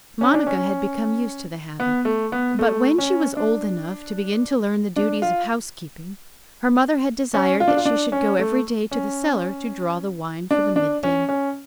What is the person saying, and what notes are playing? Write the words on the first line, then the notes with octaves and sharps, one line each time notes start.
Monica had become used to the habit, but when she was old enough to begin to learn the duties of housekeeping her mother had desired that she should go every day to the cellar to draw the wine for the midday meal.
C#4
D4
C#4
B3
A3
B3
A3
C#4
D4
D4
F4
C#4
F4
D4
F4
D4
C#4
A3
C#4
D4
D4
C#4
C#4